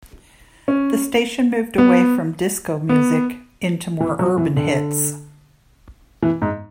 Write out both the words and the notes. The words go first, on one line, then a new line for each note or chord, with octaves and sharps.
The station moved away from disco music into more urban hits.
C#4
B3
B3
E3
F#3
E3
D3
E3
G#2